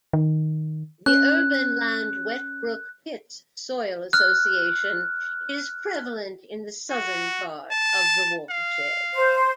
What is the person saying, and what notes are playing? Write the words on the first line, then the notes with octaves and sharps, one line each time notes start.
The Urban Land-Wetbrook-Pitts soil association is prevalent in the southern part of the watershed.
D#3
C#4 F#6
F6 F#6
F#4
A5
F5
C5